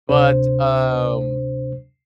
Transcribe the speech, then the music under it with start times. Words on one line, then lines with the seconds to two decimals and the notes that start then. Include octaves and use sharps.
But, um,
0.09 D2 C3 D4 C5